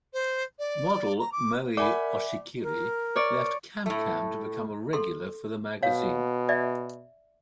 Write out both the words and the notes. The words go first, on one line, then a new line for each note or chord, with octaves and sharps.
Model Moe Oshikiri left "CanCam" to become a regular for the magazine.
C5
D5
A#5
D6
A#4 D5 E5 F#5 G#5 B5 D6
A#4
C#5 D5
A2 A3
A4 C6
B2 C#5 F5
D5 E5